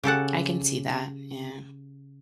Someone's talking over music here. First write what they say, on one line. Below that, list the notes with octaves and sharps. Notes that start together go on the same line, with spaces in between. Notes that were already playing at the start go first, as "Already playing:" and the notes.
I can see that, yeah.
C#3 G4 A4 F#5